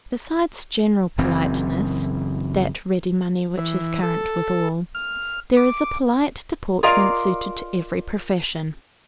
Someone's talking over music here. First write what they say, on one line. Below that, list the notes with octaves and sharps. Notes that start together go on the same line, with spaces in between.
Besides general politeness, that ready money which is current with all, there is a polite deportment suited to every profession.
F#1 F#2 E3 C4
E3
A4
F6
D6
F4 G#4 A#4 D5 D#5 F5